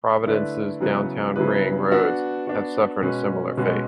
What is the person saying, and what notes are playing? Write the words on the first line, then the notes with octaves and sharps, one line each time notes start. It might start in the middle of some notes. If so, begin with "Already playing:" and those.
Providence's Downtown Ring Roads have suffered a similar fate.
D3 A3 E4 B4 D5
C#3 F#3 B3 E4 B4
C#3 F#3 B3 E4 B4
B3 D4 F#4
B3 D4 F#4
B2 G#3 C#4 F#4 B4
B2 G#3 C#4 F#4 B4